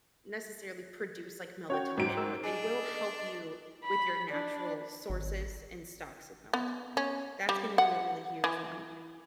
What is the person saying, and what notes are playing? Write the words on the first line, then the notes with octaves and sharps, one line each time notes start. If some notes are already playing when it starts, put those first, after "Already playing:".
necessarily produce like melatonin, but they will help you with your natural sources and stocks of melatonin. That's gonna be a really huge one,
C#4 F#4 C#5 G5
G#2 F#3 D7
A#4 E6
D4 G#4 D#5
B5
D4
G#1
B3
C#4
G3
F#5
E3